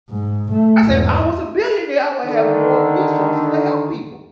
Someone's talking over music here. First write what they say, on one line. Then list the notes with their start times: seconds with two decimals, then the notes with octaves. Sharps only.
said, "If I was a billionaire, I would have more resources to help people.
0.10 G#2
0.52 A3
0.86 E2 G#2
2.26 D3 D#3